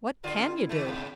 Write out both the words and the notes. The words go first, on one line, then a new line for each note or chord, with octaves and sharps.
"What can you do?"
G2 D3 F4 D5
C#4
E4
D#3 E3 A3
G#2 C#3 C4